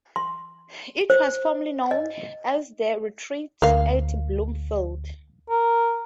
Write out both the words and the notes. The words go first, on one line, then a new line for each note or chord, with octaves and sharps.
It was formerly known as "The Retreat at Bloomfield".
C6
C5
D#5
D2 A#3 F5
A#4